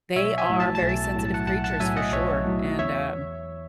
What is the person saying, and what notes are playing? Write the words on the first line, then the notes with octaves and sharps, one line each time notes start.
they are very sensitive creatures for sure and, um
B1 C#5 E5
E5 G#5
A2 F#3
A5
A5
B1
A5
A5
A2 F#3 A5
F#5 A5
B1 F#5 A5
F#5 A5
A2 F#3 E5 G#5
D#5 F#5
B1 C#5 E5
A2 F#3
E2 C#5 E5